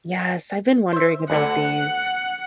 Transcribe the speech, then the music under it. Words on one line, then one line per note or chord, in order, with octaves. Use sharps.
Yes, I've been wondering about these.
C5 E5
D2 D3 F#5